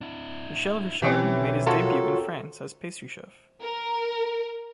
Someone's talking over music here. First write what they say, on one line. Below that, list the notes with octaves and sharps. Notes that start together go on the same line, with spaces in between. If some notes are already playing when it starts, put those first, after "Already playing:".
Michel Richard made his debut in France as pastry chef.
D4 E4
B1 E3 C4 C#4 G4
F4 F#4 A4 A#4 C#5
A#4